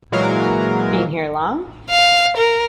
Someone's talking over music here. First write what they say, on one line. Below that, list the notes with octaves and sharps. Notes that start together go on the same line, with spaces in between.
Been here long?
A#2 E3 F#3 G#3 A#4 F5
F5
A#4